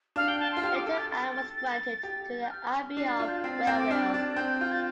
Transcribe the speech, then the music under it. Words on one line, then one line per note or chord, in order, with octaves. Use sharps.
Little Ann was granted to the Abbey of Wherwell.
D4 F5
G5
A5
C6
F4
G4 F6
D6
A4 F6
A6
A6
A6
A6
G4
G6
F6
D4 C7
A6
F4
G6
A6
C4 C7
A6
C4 G6
D6
D4 F6
A6
D4 A6
C4 G6
F4 G6
A6